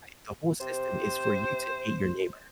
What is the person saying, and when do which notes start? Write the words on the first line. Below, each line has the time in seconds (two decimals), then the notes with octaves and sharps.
Right, the whole system is for you to hate your neighbor.
0.61 C3 C5